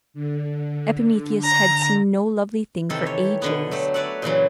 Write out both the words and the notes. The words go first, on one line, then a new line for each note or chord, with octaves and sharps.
Epimetheus had seen no lovely thing for ages.
D3
A#5
C3 D#3 E3 G4 A4
C#5
B2 D3 B3
F#3 A3 G4
B4 C#5 D5 E5 F#5
A#2 C#3 E3 F#3